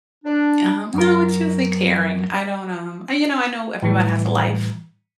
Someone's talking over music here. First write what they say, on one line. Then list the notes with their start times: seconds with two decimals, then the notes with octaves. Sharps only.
Um, no it's usually tearing. I don't, um, I you know, I know everyone has a life,
0.25 D4
0.94 F#2 A#4
3.83 A2 E3 G3